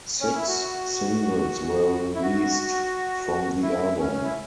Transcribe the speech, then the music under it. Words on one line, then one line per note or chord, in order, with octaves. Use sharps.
Six singles were released from the album.
C#4
E4
F#4
E4
F#4
E4
C#4
E4